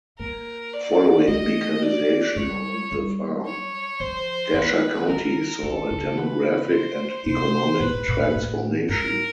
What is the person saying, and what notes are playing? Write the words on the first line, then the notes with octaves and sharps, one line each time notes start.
Following mechanization on the farm, Desha County saw a demographic and economic transformation.
A#3 A#4
D5
A3 D#5
D5
G3 C#5
G3
C#5
F3 C5
E3 B4
D#3 A#4
D#3 A4
C#3
B4
C5
C3 C5
A#2 B4
A2
A#2
A2
G#2 A#4